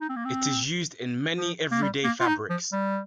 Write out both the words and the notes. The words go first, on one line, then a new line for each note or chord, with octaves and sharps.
It is used in many everyday fabrics.
D#4
C4
A#3
C4
F3
A#3
G3
A#3
F4
D#4
F3
G3